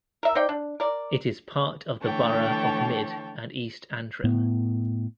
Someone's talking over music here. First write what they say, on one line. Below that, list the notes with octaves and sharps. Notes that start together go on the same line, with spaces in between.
It is part of the Borough of Mid and East Antrim.
A#4 E5
D#4 C5 D5 G5
D4
A#4 D5
D3 E3 A3 C#5 G5 A5
A2 B3